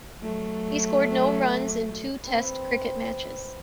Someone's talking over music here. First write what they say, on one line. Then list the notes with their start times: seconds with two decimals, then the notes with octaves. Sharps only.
He scored no runs in two Test cricket matches.
0.22 F#3 A3
2.23 C4 B4